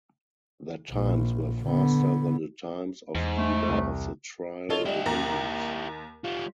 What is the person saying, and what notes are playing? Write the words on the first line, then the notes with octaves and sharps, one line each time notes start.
Their times were faster than the times of either of the trial divisions.
A#1
D3 B3
E2 G#2
A3
C2
D#4 F4 A4 C#5
G3 D#4 E4 G4
D#2 A#5
G3 F4